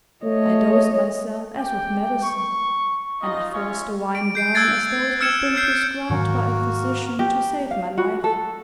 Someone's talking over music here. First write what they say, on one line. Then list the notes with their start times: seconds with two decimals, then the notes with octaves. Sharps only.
I dosed myself as with medicine, and I forced the wine down as though it had been prescribed by a physician to save my life.
0.24 A3 C#5 D#5
1.58 G4 G5
2.23 C#6
3.22 D#4 F4 D#5
3.53 C#4 F4 C#5 E5 C#6
4.15 D7
4.35 G6 C7 D7
4.54 E6 F#6 G#6 A6 C7
5.21 E6 F6 G#6 C#7 E7
5.55 E6 F6 G6 C7 D7
6.10 G#2 D#3 F#3 A#3 F#4
7.19 G4
7.71 F5
7.97 F#4
8.24 A4